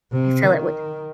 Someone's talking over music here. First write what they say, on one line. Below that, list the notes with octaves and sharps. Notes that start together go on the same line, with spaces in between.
you fill it with
C3
D#3